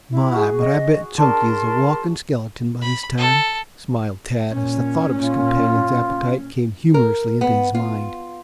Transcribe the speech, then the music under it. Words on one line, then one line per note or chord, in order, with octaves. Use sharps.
"My, but I'll bet Chunky is a walking skeleton by this time," smiled Tad, as the thought of his companion's appetite came humorously into his mind.
E4
F#4 G#4
D#5
D4 A#4 A5 C6
B5
A4
A#2 C#4
F4
A#4
B3
F4